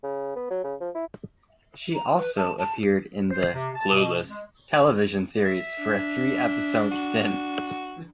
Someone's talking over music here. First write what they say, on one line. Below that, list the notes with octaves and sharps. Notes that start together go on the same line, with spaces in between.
She also appeared in the "Clueless" television series for a three episode stint.
C#3
B3
F#3
C#3
F3
E4
A#5
B4
A5
A5
C5
C3
A5
B2
G#3
E5
D4
F#4